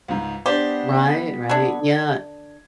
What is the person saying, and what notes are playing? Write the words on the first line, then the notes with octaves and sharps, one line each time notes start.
Right, right, yeah.
C#2 G#2
B3 D4 G4 C5
D3 D4 G#6